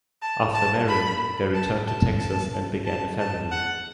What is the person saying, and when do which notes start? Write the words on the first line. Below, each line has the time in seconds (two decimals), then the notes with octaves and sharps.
After marrying, they returned to Texas and began a family.
0.22 A5
0.55 A5
0.88 B5
1.54 A5
1.87 A5
2.20 A5
2.86 A5
3.19 A5
3.51 F#5